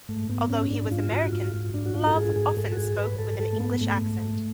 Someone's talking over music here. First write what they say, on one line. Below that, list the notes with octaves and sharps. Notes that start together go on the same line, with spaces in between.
Although he was American, Love often spoke with an English accent.
G#2 A3
G#2 B3
G#2 C#4
G#2 D4
G#2 F4
G#2 F#4
G#2 F4
G#2
G#2 D4
F#4
G#2 F4
A4
G#2 G#4
G#2 G#4
G#2 A4
F#4
G#2 G#4
G#2 B4
G#2 A4
G#2 A4
A3
G#2 B3
G#2 A3
G#2
G#2